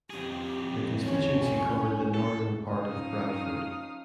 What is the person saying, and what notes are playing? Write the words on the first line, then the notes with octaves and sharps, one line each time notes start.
The constituency covered the northern part of Bradford.
F2 G4 G#4
C2 C#4 C#5
G#5
A4
F3 C#4 D#4 F5 D#6 F6